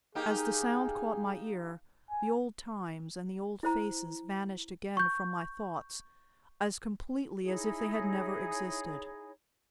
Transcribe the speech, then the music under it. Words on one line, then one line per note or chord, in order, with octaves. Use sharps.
As the sound caught my ear, the old times and the old faces vanished again from my thoughts as completely as if they had never existed.
A#3 D#4 G4 G#4
G#5
E4 C5 A#5
C#6 G6
D#4 E4 G#4 C#5